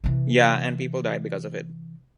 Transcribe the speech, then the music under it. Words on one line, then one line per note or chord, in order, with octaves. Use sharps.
Ya and people died because of it.
C3 E3